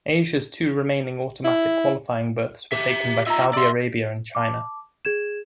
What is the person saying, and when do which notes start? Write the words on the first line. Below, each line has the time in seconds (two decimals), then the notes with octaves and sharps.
Asia's two remaining automatic qualifying berths were taken by Saudi Arabia and China.
1.45 E4
2.72 G4 E5
3.26 F4 D#5 E5 A#5 E6
3.53 D5 E5 C6 E6
4.35 A5 D6
5.05 G#4 G#6 E7